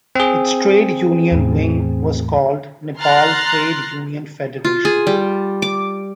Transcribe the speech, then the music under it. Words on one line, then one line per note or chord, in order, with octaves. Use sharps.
Its trade union wing was called Nepal Trade Union Federation.
C4 G#4
E2 A2
A#5 C6 F6 F#6 A6
F4
G#4
G3
D6